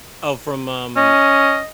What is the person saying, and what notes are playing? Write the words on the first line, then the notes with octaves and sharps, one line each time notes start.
Oh, from, um
C#4 D#5